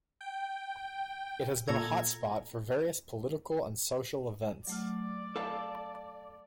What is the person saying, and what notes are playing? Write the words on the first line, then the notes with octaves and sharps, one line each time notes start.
It has been a hot spot for various political and social events.
G5
A#2 A4 A#5 G#6
F#3 A3 D5 F6
A4 F5 A5